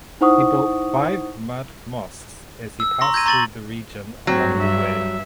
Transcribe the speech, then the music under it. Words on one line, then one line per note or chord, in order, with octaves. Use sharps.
He built five mud mosques as he passed through the region along the way.
D#4 E4 C5 F#5 C#6 D#6
E6
A#5 C6 C#6 A#6
G6 G#6 A#6 D#7
A#5 C6 C#6 A6 D#7 F#7
G2 F#3 C4
E5